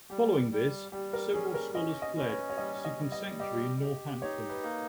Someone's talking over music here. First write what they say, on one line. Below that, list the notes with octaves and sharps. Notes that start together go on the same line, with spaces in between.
Following this, several scholars fled seeking sanctuary in Northampton.
G3 G4
G3
G3 G4
A#4
C#4 G#4
A#4
C#4 D#5
D#5
C#4 B4
C#5
C#5
G3 D#5
D#5
G3
D#5
G4 D#5
G4
D#4 C#5
B4
A#3